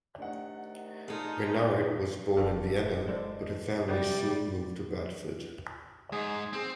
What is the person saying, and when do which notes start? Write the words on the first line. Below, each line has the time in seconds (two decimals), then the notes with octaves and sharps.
Reynard was born in Vienna but her family soon moved to Bradford.
0.18 C3 D#3 A3 D4 F#5
1.08 D#4 F4 G#4 A4
2.37 E1 A4 D5 F5
3.08 G#3 A4 C5 D5
3.88 C3 G3
6.12 G#2 G#4
6.53 C4